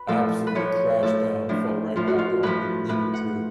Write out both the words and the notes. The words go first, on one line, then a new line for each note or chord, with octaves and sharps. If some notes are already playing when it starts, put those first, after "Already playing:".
absolutely crashed down, fell right back on me, needed to
Already playing: B4
A2 F3 A4
B4
A2 F3 C#5
A2 F3 A4
A2 F3 D4
A2 F3 F4
F#4
F4
A2 F3 B4
A2 F3 B4
F#5